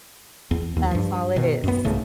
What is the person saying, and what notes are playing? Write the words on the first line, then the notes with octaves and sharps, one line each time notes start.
That's all it is.
E2
D#2
G2 F3
B2 D#3
F#2 B3
C2 G#2 C#3 A3